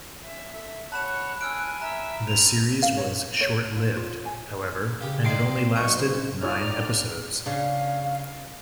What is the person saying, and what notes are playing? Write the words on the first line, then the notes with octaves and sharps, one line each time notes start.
The series was short-lived, however, and it only lasted nine episodes.
C#4 E5
A4 E5
C#5 F#5 A5 B5 F#6 E7
G#5 E6 F6 D7
E5 A#5
C4 F7
F5
C#5
C#5
F4
F4
G#5
C#3 G4
A#3 D5 D#5 F5 G5 C6
B1 D#5 A#5 C#6
C5
A2 D#4 F4 G#4 C#5 D5 F6
C#3 D4 F5